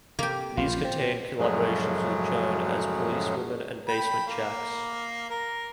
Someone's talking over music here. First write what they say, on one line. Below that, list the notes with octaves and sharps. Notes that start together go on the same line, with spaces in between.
These contained collaborations with Joan As Police Woman and Basement Jaxx.
C3 A#3 G4
A#1 F4
A#2 C4
F#2 A2 C#3 F3 F#3 G#3
G5 B5
A#3
A#4